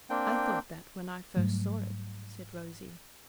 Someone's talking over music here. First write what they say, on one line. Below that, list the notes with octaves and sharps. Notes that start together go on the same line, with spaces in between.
"I thought that when I first saw it," said Rosy.
A#3 C4 D4 G5
G#2 F#3 G3 A3